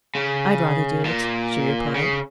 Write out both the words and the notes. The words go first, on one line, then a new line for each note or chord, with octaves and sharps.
"I'd rather do it," she replied.
C#3
A#2
C#3